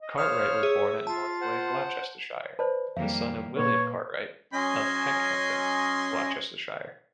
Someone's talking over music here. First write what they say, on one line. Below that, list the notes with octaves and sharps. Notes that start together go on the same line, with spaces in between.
Cartwright was born at Northway, Gloucestershire, the son of William Cartwright of Heckhampton, Gloucestershire.
D#5
C5 C#5 F5 D#6 F6
G#4 E5
F4 A5
C5 F#5
B4 C5 D5 A5
F2 D#3 G3 A#3 F5
A#2 A#3 B4 C#5
F#3 C#4 D#5 G#5 C6